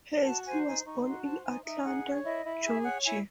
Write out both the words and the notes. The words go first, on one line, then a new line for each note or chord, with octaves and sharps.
Hensley was born in Atlanta, Georgia.
F#4 A5
C5 G#5
D#4 G#5
D#4 C#6
F#4 C6
C5 A5
D#4 G#5
D#4 E5
G#4 F#5
C#5
E4 D#5
E4
G#4 E5
C#5 F#5
E4 G#5